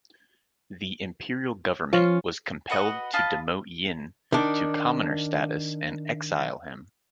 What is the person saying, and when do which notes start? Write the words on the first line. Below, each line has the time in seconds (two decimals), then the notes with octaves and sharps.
The imperial government was compelled to demote Yin to commoner status and exile him.
1.93 F3 C#4 F4
2.70 F#4 B4 D#5 F#5
3.13 F4 B4 D#5 A5
4.32 D#3 D4